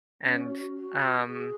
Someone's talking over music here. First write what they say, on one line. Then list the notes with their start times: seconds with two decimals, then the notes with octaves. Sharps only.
and, um,
0.23 C#4
0.49 F#4
0.75 F#4
1.26 G#4